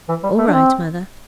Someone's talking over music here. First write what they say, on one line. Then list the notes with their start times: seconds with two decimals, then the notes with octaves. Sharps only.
'All right, Mother.
0.09 E3
0.23 G3
0.38 A3
0.48 D4
0.53 C4